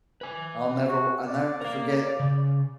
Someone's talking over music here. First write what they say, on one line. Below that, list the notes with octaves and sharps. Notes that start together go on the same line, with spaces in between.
I'll never w I'll never forget
B4 G#5
F#4
D5
A#4 F5
C#3